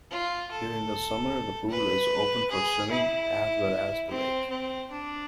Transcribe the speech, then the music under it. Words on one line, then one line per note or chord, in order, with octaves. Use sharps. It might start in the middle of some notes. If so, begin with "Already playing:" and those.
During the summer the pool is open for swimming, as well as the lake.
F4
A4
B4
G#4
E4
C4
C4
D4